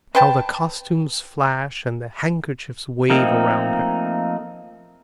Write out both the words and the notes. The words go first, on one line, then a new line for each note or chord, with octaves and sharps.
How the costumes flash and the handkerchiefs wave around her!
B4 C5 G5 A5
F3 A3 A#3 C4 D#4